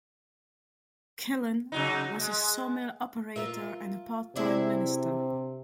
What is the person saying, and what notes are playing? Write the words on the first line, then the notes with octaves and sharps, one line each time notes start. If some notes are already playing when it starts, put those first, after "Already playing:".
Killen was a sawmill operator and a part-time minister.
C#3 F#3 D#4
G#3
F4 A#4 E5
C3 D4 E4 G#4